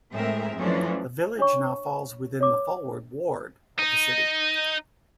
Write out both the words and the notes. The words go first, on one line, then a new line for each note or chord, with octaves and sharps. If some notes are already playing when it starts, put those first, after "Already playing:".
The village now falls within the Fulwood ward of the City.
A2 G#3 C4 G#4 A#4 E5
F#2 E3 F3 A3 C#4 D4
D4 C#5 C#6
C#5 D6
D#4